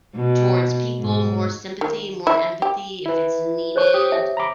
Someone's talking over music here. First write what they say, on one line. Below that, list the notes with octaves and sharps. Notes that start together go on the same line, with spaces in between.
towards people, more sympathy, more empathy, if it's needed,
B2
G#2
D#3
E4
G4
E4 B4
C5 C#5 C#6
G4 D#6
E5
A#5 B5 D6